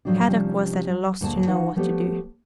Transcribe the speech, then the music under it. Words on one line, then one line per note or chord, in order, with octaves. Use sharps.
Kadok was at a loss to know what to do.
A2 F3 F#3 G#3 D4
C3 F3 G3 C#4 D#4
F#3
D2 A#2 G#3 A5
E3 D#4 F#4 B4 F5 F#5
F3 A3 B3 G4 A4 C#5